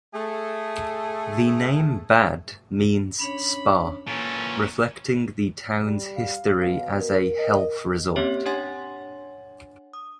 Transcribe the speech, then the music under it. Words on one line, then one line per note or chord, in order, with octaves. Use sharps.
The name "Bad" means "spa", reflecting the town's history as a health resort.
A3 G#4 A4
C#4 D4 C#5 B5
A#2 E3 A#3 C#4 A4
G3
F5
B2 F5
A#4
D#5
A#3 C4 C#4 G4 C#5 E5
D4 C#5 F#5 G#5 C6 A6
D#6